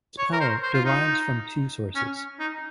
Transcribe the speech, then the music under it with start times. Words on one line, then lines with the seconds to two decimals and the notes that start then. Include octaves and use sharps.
This power derives from two sources.
0.18 C#5
0.33 A#4
0.40 C5
0.62 C5
0.74 F4
0.84 D#4
1.95 C#4
2.39 D#4